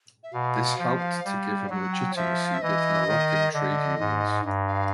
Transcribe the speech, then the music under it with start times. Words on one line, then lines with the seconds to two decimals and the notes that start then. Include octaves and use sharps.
This helped to give him legitimacy within Moroccan trade unions.
0.23 E5
0.33 B2 F5
0.79 F3
1.25 G3
1.70 F#3 F#5
1.93 G5
2.16 F3 E5
2.46 F5
2.54 E5
2.62 E3 D#5
3.08 D#3
3.53 D3 D#5
4.00 G#2
4.45 G2
4.68 F5